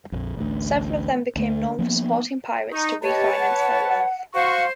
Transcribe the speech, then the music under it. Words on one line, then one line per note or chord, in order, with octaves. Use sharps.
Several of them became known for supporting pirates to refinance their wealth.
A#1 F2
A1 D2
D2 D3 A3
F3 A#3 B3
D#4 C#6
G4 B4 C#5 D#5 A5
F#5
F#4 C5 F5 C6 C#6